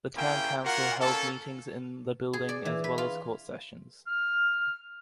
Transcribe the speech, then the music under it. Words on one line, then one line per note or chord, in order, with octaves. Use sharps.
The town council held meetings in the building as well as court sessions.
A#3 C#4 E4 G#4 G5
A#3 F4 F#4 A#4 F#5
A#3 C#4 A4
G#4
D5
E3
B4
F4
F6